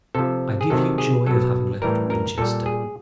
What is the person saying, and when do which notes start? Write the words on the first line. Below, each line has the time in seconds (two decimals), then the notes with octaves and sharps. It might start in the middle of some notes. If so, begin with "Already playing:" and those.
I give you joy of having left Winchester.
0.15 C3 F3 A4
0.61 G#4
0.70 C3 D#3 F#3 A4
0.98 G#4
1.26 B2 F#3 A4
1.82 A2 E3 G3 A#4
2.10 A#4
2.38 A#2 G3 A4
2.66 G#4